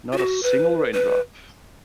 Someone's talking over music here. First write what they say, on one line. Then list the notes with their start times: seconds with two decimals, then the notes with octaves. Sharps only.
Not a single raindrop!
0.13 F4
0.17 F#4
0.43 B4
0.93 B4